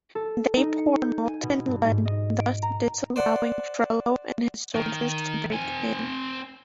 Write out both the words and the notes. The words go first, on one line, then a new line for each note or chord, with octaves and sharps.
They pour molten lead, thus disallowing Frollo and his soldiers to break in.
A4
D#4
C#7
G6
G#5
B2
G2
G#2
D#5
D7
A#5
C5 D5 F#5
D#3
C4 G#5